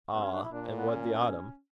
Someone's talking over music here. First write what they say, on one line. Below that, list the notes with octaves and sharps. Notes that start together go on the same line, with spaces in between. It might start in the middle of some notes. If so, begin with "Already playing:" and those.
Ah! and what the autumn?
G2 B3
C#4
D4
E4
A#2 D4
B3
C#4